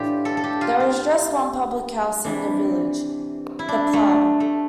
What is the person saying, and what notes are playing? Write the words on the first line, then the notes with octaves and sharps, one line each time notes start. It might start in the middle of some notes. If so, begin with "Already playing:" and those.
There is just one public house in the village, the Plough.
Already playing: A2 E3 D4 F4 G4
A4
A4
G4
F4
F4
C3 E3 D4
E4
D4
A3
A3